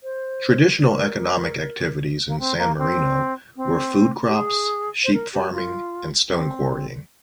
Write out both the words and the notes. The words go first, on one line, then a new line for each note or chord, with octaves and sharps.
Traditional economic activities in San Marino were food crops, sheep farming, and stone quarrying.
C5
A#4
A#3
C4
A#3
C4
C4
G4
G#4
C5
A#4
G4
F4
C4